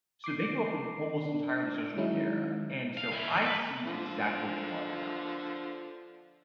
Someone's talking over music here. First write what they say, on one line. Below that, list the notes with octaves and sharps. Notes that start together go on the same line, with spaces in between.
So they grew up in almost entirely social media era, and so I see exactly what you're talking about.
D6 C7
D4
D#3 F#3 G#3 C#4 D#4 E4
F5
D#3 E4
E2 F#3
B4
D3 F3